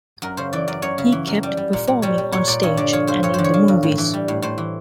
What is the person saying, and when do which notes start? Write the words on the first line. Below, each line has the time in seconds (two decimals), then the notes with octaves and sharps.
He kept performing on stage and in the movies.
0.22 F#2 A#4
0.37 C#3 C5
0.53 E3 D5
0.68 F#2 D5
0.82 F#2 C#5
0.98 C#3
1.12 E3
1.27 F#2
1.43 G3
1.57 G3
1.73 A#2
1.87 A#2
2.02 G3 C#5
2.18 G3
2.32 A#2 C#5
2.47 A#2 D5
2.63 G2 C#5
2.77 D3 D5
2.93 F3 C#5
3.07 G2 C5
3.23 G2 C#5
3.34 D3 C5
3.44 C#5
3.54 F3
3.68 G2
3.83 A2
3.98 E3
4.14 G3
4.28 A2
4.42 A2 C5
4.58 E3